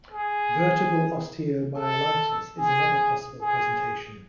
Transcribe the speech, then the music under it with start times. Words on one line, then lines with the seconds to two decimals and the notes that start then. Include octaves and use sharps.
Vertebral osteomyelitis is another possible presentation.
0.12 G#4
1.76 A4
2.58 G#4
3.41 G#4